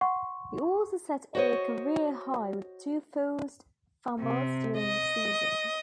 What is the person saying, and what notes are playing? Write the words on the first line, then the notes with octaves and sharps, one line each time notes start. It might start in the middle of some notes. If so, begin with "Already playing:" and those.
He also set a career-high with two forced fumbles during the season.
F#5 C6 C#6
F#4 C5 C#5 D#5
C3
D#5